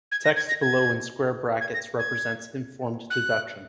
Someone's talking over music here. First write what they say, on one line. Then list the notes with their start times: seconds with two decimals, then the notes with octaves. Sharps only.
Text below in square brackets represents informed deduction.
0.12 G#6
0.25 A#6
0.36 G#6
0.49 A#6
0.62 G#6
1.61 G#6
1.74 A#6
1.99 G#6
3.10 F#6